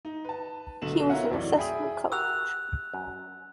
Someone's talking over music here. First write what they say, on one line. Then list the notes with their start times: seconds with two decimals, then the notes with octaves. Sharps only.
He was an assistant coach.
0.05 D#4
0.25 B4 A5
0.82 B1 D3 B3 E7 F#7
1.10 D#4 F4 A#4 C#5 E5 F#5
1.30 F1 B1 E3 D5
1.57 G#4 E5 G5 B5 D#6
2.12 F#4 G4 A#4 E6 F#6 F7
2.93 F#2